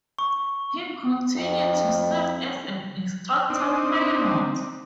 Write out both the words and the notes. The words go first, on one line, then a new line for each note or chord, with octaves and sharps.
He continued to serve as an instructor pilot.
C#6
F2
C4 D4 D#4